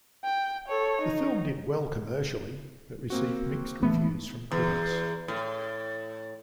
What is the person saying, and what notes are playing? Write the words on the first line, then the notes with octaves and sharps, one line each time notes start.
The film did well commercially, but received mixed reviews from critics.
G5
A4 C#5
D#4
A#3 C4 F#4
E3 A3 B3
E2
A2